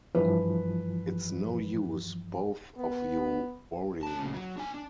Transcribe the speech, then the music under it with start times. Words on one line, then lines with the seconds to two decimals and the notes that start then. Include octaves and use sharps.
It's no use both of you worrying.
0.15 G2 E3 F3 B4
2.77 B3
4.03 C#4 A5
4.19 A#2 C#3
4.34 F#3
4.57 D4 G#5
4.74 D4